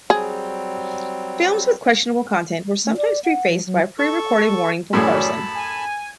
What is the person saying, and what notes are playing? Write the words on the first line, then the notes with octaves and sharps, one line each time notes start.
Films with questionable content were sometimes prefaced by a pre-recorded warning from Carson.
F#3 G3 C4 G#4
A3
D5
F#5
F3
F#3
A4 C#6
F#2 A2 E3 F#3 G3 G#4 A5 B5
G#5